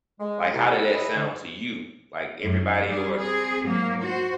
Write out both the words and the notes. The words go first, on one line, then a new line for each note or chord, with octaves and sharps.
like how did that sound to you? Like everybody or
G#3
C2 C3
G3 E4 G4 A4 F#5
E4 G#4 B4 C#5 D#5
D3
F#2
G3 G#4
C4 G#4
G#2 F#3 A#3
F#4 C5